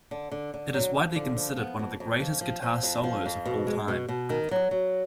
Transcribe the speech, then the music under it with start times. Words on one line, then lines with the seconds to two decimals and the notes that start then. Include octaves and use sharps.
It is widely considered one of the greatest guitar solos of all time.
0.11 D3
0.32 D3
0.54 D3
0.74 F#3
0.95 F3
1.16 D3
1.37 F3
1.57 B3
1.79 F2
2.00 F2
2.20 F3
2.41 F3
2.62 F3
2.83 F2
3.04 F3
3.26 F2
3.45 B2
3.67 G#3
3.88 B2
4.09 B2
4.30 D#3
4.51 F#3
4.71 F#3